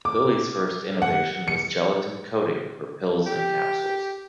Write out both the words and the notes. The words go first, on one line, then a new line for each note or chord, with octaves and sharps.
Lilly's first innovation was gelatin-coating for pills and capsules.
D6
F#5
C#7
G4